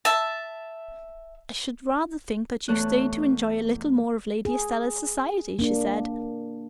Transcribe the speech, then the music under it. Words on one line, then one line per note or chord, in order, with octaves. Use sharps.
"I should rather think that you stayed to enjoy a little more of Lady Estelle's society," she said.
E5 A5
E2 A3 A4 C#5 F#6
G#4
A#3 D4